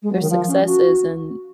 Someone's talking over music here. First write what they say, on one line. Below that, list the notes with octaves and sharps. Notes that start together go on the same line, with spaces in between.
their successes, and
G#3
F#3
D#3
F3
C#4
F#4